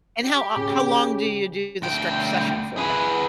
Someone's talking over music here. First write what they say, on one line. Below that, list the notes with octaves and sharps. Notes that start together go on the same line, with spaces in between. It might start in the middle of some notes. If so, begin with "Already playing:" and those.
And how o how long do you do the stretch session for?
G4
C#3
D2 G5
G#4 B4